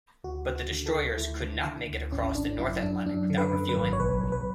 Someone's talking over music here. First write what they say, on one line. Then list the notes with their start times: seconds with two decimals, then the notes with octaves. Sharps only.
But the destroyers could not make it across the North Atlantic without refueling.
0.24 D2 F#4
0.47 D2
0.56 F#4
0.71 D3
0.86 A4
0.94 D2
1.17 D2 E4
1.42 D3
1.65 D3
1.89 D2
2.12 G#1 C#4
2.35 G#1 D4
2.59 F#2 E4
2.82 F#2 D4
3.06 F#2 D4
3.30 D3
3.38 B4
3.53 F#2
3.69 B4
3.77 G#1
3.93 C#5
4.00 B1 B4
4.24 B1
4.32 B4